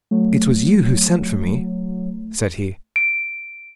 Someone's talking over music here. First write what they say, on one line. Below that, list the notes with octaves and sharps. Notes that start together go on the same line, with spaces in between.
"It was you who sent for me," said he.
F#3 A3
D7